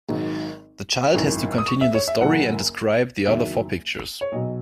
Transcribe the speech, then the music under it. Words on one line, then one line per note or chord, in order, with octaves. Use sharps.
The child has to continue the story and describe the other four pictures.
G#1 G#2 D#3 F#3
G#1 F#2 E3
D#6
C#6
E5
C#5
E5
F#1 F#2 E3 F#5
F#1 E2 D#3 F#3 E5
C#5
B1 B2 F#3 D#5